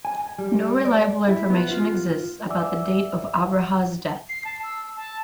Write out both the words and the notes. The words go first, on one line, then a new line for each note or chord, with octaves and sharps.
No reliable information exists about the date of 'Abraha's death.
G#5
G3
D5
E4
B3
F4
D5 E5 F#5 G#5 D6 E6
C7
A5
E6
A5